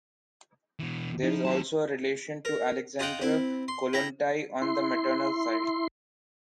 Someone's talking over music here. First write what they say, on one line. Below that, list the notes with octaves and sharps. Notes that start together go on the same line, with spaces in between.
There is also a relation to Alexandra Kollontai on the maternal side.
B2 E3
F3 D#4 E4
D#2 F#3 A5
A#4
D#4 F4 F#5 G5
C4 E4
C6
E4 G5 A#5
E4 C6